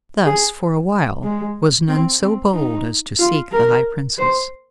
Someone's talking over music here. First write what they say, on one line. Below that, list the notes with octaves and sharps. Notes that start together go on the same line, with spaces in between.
Thus, for a while, was none so bold as to seek the high Princess.
G#4
G#3
C4
C4
D#4
F4
A#4
C5